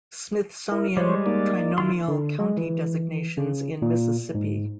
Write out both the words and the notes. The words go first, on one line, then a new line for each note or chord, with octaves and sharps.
Smithsonian Trinomial county designations in Mississippi.
E4 A#4
G3 G#3 C5 C#5
A#3 D#4 D5
D#3 E4 F4 C6
D3
G#3
E3
C#3
A#2
G#2